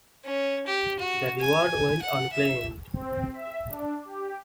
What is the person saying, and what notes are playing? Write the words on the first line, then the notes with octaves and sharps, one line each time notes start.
The reward went unclaimed.
C#4
G4
F#4
G#5
F#5
E5
C4
E5
D4
G4